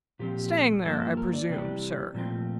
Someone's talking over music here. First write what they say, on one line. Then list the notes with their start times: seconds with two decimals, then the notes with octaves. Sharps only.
'Staying there, I presume, sir?'
0.19 A#2 F3 C4 G4
0.52 A4
0.85 G2 F3 A#3 A4
1.01 A4
1.17 A#4
1.33 D5
1.49 C3 E3 G3
2.14 A#2 F3 A3 C4